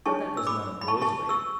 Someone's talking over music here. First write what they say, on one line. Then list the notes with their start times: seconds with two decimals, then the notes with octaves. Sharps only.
But that was not a boy's way.
0.06 D4 G#4 C#5 A5 C#6
0.37 E6
0.47 B5 D6
0.81 B5
0.88 A5 C#6
1.02 A5 C#6
1.29 C#6 E6